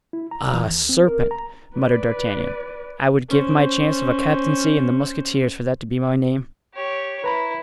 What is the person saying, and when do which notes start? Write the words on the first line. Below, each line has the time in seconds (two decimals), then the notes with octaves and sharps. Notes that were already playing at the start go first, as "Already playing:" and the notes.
"Ah! serpent," muttered D'Artagnan, "I would give my chance of a captaincy in the mousquetaires for that to be my name."
0.13 E4
0.31 A#5
0.54 E3
0.66 D#2
0.89 C4
1.07 A#4
1.31 A#5
1.76 B4 D5
3.29 C#4 C5
6.74 G4 C#5
7.24 E4 B4 A#5 B5